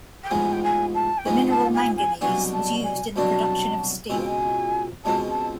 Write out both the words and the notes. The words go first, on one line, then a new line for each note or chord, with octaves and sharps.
The mineral manganese was used in the production of steel.
G5
A1 G#2 F3 G#3 B3 G#5
G5
G#5
A5
G5
A1 G#2 F3 G#3 B3 G#5
A5
G#5
G#5
C2 B2 F#3 B3 D4 G#5
A5
G#5
C2 B2 F#3 B3 D4 A5
C#2 B2 G#3 C4 G#5
G5
G#5
C#2 B2 G#3 C4 A5
A5